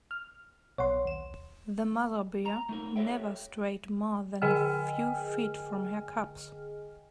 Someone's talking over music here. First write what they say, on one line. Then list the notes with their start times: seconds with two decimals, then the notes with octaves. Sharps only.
The mother bear never strayed more than a few feet from her cubs.
0.11 F6
0.78 B1 C#5 F#5 C6
1.05 D#2 E7
2.46 A#5
2.69 A3 D#4 A#4
2.96 G4 A4 A#4 C#5 E5 G5
4.42 D3 G#4 D#5 G5 G#5 F6